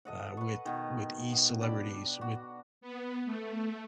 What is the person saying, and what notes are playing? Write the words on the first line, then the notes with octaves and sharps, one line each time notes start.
uh, with with e-celebrities, with
A4 D#5 F#5
B4 C#6
B2 D#3
B2
D4 D5 G5 B5
F#4
B3
A3